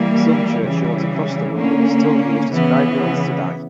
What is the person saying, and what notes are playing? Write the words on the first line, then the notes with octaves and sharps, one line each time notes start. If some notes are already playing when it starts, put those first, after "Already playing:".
Some churchyards across the world are still used as graveyards today.
Already playing: E3 G3 A#3
C#3 E3 G3
D3 A#3 C#4
C#3 E3 B3